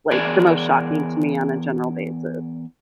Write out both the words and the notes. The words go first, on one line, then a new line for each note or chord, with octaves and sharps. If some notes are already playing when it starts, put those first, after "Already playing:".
like, the most shocking to me on a general basis.
E2 G#4 A#4 D5